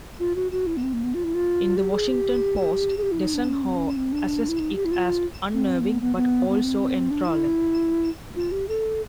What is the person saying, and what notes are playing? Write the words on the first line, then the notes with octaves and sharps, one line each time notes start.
In "The Washington Post", Desson Howe assessed it as "unnerving but also enthralling".
F4
F#4
F#4
E4
B3
C4
A#3
B3
F4
E4
F4
G4
G#4
G4
G#4
G4
E4
D#4
D4
C#4
C4
C#4
C4
D4
E4
D#4
G4
E4
F4
C4
A#3
B3
B3
B3
B3
C4
D4
E4
F4
G4
A4